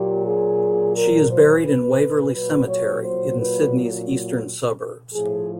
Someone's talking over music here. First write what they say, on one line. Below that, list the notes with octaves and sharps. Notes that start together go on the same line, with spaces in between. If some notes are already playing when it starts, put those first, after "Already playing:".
She is buried in Waverley Cemetery, in Sydney's eastern suburbs.
Already playing: A#2 F#3 G4
G#4
A#4
C5
B4
A#2 F#3 B4
C#5
C5
B4
A2 F3 G#4